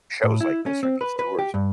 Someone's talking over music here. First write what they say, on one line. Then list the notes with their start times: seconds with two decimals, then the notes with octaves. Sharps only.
shows like this or these tours."
0.24 A2
0.41 E4
0.66 C#4
0.83 C4
1.01 B4
1.19 B4
1.39 G4
1.54 G2